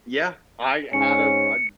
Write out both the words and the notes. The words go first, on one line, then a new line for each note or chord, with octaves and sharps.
Yeah, I had a I d
G#2 C#4 C#7